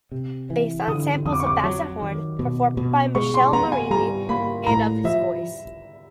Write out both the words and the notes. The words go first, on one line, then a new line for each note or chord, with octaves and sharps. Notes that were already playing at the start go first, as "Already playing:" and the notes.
Based on samples of bassett horn, performed by Michele Marelli, and of his voice.
C3
E3
D3 D#6
F2 D#6
D6
C#6
D6
F#3
D#3
B2
B2
G#3 C#6
C6
B3 A#5
G#5
G3 A#5
A#3 B5
A2 A#5
F3 E5